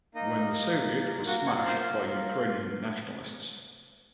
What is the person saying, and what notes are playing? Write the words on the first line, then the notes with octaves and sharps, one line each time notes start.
When the soviet was smashed by Ukrainian nationalists.
A#3 D#4 D#5
A#3
A#3
A#3
A#3 F#4 F#5
C#5 C#6
F4
C5 C6
A#3
F4